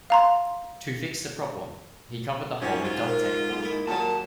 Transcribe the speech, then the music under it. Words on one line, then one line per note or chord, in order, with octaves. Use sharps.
To fix the problem, he covered the hole with duct tape.
F5 A#5 C6
G#2 F3 C#4 G4
F#3 F4
A#4 C5
B1
A#3 E4
D#2 A#2 F#3 G#4 A5